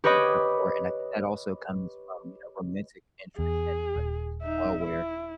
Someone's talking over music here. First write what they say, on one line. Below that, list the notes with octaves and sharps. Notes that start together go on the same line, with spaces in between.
you know, that sort, and I think that also comes from, you know, romantic interests and friendships as well, where,
G4 B4 C#5 D#5 B5 D6
E2 G#4
D#1
D#4 E5
E4